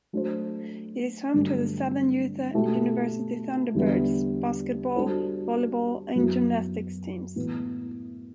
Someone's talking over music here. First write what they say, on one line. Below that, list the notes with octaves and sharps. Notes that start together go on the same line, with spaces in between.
It is home to the Southern Utah University Thunderbirds basketball, volleyball and gymnastics teams.
F#3 A3 D4 A4 C5
G2 D3 F#3 A3 D4
B2 A3 E4 G4
E2 D3 G3 B3 E4
G3 D4 F#4 A4 C5
F#2 F#3 B3 E4
A2 E3 B3